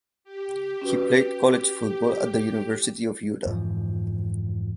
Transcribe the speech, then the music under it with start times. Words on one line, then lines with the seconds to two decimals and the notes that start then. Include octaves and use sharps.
He played college football at the University of Utah.
0.24 G4
0.82 C#4 F#4 B4
3.46 F2 G#2 E3 F3